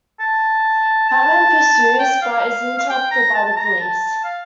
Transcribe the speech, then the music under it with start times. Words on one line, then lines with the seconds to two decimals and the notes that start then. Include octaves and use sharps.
Batman pursues but is interrupted by the police.
0.19 A5
1.09 A5
1.99 G5
2.22 F5
2.78 F5
2.89 G5
3.11 A#5
3.34 A5
3.45 A5
3.56 A#5
3.80 A5
4.24 F5